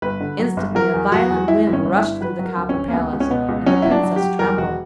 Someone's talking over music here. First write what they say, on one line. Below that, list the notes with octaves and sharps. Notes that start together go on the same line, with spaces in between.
Instantly a violent wind rushed through the copper palace, and the Princess trembled.
G1 B4
D3
F#3
G1
F#3 A#4
E2
F#3 F#4
E2
E3 E4
G1
C#4
G1
E4
G2
F#3 B4
F#3
A#4
D2
C#4
D2
A#3
C#2 B3
C#2
C#4
B2 B3
C#2
F#3 C#4
F#3 E4
D4
F#3
G4
F#3
E2 A#4
E1 F#4